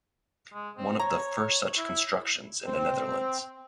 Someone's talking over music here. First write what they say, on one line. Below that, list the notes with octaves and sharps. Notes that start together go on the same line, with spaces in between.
One of the first such constructions in the Netherlands.
G#3
C4
C#5 A#5
E4
C4